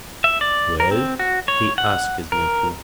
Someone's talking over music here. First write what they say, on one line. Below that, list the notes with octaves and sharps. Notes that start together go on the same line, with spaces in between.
"Well?" he asked his nephew.
E5
D5
A#4
C4
F#4
C#5
F#5
A#4